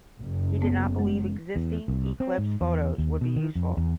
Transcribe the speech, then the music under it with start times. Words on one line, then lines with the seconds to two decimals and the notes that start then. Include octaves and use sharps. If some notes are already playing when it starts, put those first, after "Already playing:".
He did not believe existing eclipse photos would be useful.
0.19 F#1
0.62 B3
0.99 G#3
1.56 E2
1.88 C2
2.20 C4
2.38 G#2
2.61 E2
2.98 D#2
3.21 B2
3.36 D#3
3.55 F2
3.77 E2